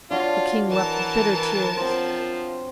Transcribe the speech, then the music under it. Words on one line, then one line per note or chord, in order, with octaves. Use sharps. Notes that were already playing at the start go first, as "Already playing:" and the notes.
The King wept bitter tears.
D4 F4 F#4 C#5
E3 A#4 A5
F3 C4 C5